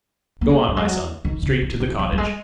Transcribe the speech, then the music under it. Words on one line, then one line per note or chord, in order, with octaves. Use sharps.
Go on, my son--straight to the cottage.
A#3
G#3
F#3
G#3
F#3
D#3
C#3
E3
E3
F#3
F#3
G#3